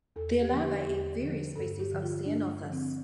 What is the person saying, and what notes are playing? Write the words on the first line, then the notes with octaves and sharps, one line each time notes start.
Their larvae eat various species of "Ceanothus".
E2 A4
G4
D3 F3
G4
E2 G4
D3 F3
G2 A4
G4
D3 F3
F4
G2 D4
D3 F3
C4